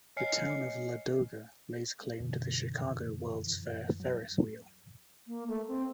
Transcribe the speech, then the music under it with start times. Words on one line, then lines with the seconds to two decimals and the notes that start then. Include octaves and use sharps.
The town of Ladoga lays claim to the Chicago World's Fair Ferris Wheel.
0.17 C#5 D#5 G#5 F6 C7 C#7
2.20 F#2 B2 D3 E3
4.00 F#3
5.27 A#3
5.48 A3
5.68 C4